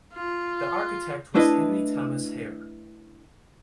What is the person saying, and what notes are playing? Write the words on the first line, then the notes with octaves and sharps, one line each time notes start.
The architect was Henry Thomas Hare.
F4
A3 D4 E4 B4 D#5